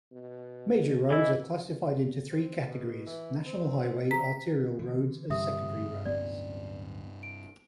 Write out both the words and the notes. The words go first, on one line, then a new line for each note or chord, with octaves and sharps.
Major roads are classified into three categories: National Highway, Arterial Roads, and Secondary Roads.
B2
G1 E3 E4 D#5
C4
B2
E3
C4
C4 A#5 B6
D3 E3
G2 C3 G3 G4 E5 D#6
D1 B3 C#4 D5
D7